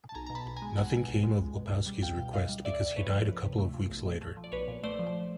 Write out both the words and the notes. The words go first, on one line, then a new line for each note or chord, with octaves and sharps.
Nothing came of Wapowski's request, because he died a couple of weeks later.
A5
B1 G#5 A#5
B2 A#5
A5 B5
B1
G#5 A#5
G#3
B1 F#5 G#5
B2
B1
G#3
C#2
B2
C#2
G3
C#2 F5 G5
B2
C#2 D#5 F5
G3
D2 D5 E5
C3
A3 B4 C#5
F3
D2
C3
A3
F3
B1
A#2
A3
F3
D5
B1 B4 C#5
A#2
A3 C5 D5
F3